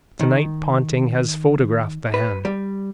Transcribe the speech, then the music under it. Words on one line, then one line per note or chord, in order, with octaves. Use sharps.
To-night Ponting has photographed the hand.
D#3
B4
G3